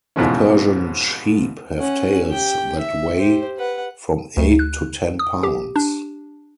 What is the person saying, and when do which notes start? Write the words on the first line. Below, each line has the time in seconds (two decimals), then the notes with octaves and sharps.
The Persian sheep have tails that weigh from eight to ten pounds.
0.16 G#2 B2 E3 F3 C4 C#4
1.79 C#4 F#5
2.30 G4 G5
2.79 E5
3.19 G4 C5
3.58 B4 F#5
4.37 D2
4.59 F#6
5.19 D#6
5.43 G4
5.76 D4